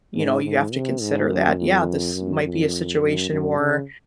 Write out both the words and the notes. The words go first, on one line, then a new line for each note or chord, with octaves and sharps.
you know, you have to consider that, yeah, this might be a situation where,
G#2
G#2
C3
G#2
F#2
F2
F#2
F2
F#2
F#2
C#3